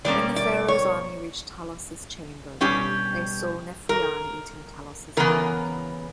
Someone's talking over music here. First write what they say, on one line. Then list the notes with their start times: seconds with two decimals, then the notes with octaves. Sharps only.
When the Pharaoh's army reached Talos' chamber they saw Nefrianna eating Talos' heart.
0.05 B2 G3 A#3 C#4 D5
0.36 D5
0.68 C#5
2.61 B2 G3 C#4 G4
3.89 A#4
5.17 C#3 E3 B3 A#4